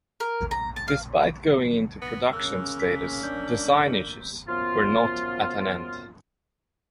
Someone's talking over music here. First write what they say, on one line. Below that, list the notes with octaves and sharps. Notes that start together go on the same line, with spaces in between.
Despite going into production status, design issues were not at an end.
A#4
A#5
A5
F5
B3
C#3 A#3 C#4 E6 F#6
B6
D4 G6
F#2 F3 B3 F4